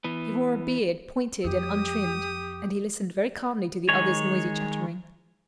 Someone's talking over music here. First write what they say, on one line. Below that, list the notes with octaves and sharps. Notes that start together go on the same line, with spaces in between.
He wore a beard, pointed and untrimmed, and he listened very calmly to the other's noisy chattering.
E3 B3
F2 G4 D#6
D#3 G#3 C#5